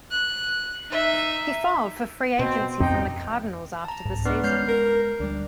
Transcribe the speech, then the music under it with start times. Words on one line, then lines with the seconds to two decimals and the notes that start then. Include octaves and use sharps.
He filed for free agency from the Cardinals after the season.
0.11 F#6
0.91 D#4 E5
2.39 B2 C4
2.80 F2 C4 D#4 G4 G5
3.85 A5 A#5
4.05 C2 G#2
4.25 B3 D4 B4
4.44 G#3 C#4 F6 G6 C7
4.68 A#4
5.20 D2 G3 D4